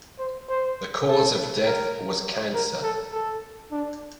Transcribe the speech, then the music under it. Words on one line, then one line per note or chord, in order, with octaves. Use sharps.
The cause of death was cancer.
C5
C5
A4
A#4
A#4
A4
A4
D4